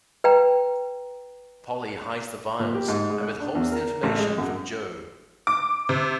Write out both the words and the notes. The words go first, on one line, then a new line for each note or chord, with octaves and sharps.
Polly hides the vials and withholds the information from Joe.
B4 G5 A#5
A#2
G4
G#2
G#3
F#6
D4
E2
A#4
A1
G#3
F#2
D6
C3